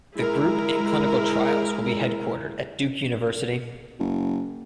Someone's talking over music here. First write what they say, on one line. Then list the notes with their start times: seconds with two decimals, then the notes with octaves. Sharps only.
The group and clinical trials will be headquartered at Duke University.
0.14 G#3 E4 A#4
3.99 F#1